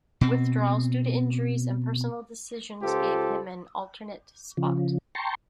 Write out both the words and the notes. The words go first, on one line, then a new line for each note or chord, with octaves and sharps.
Withdrawals due to injuries and personal decisions gave him an alternate spot.
B2 C4
C#2 F4 G4 A4 C5
C#3 F3
G5 A5 A#5 C6 C#6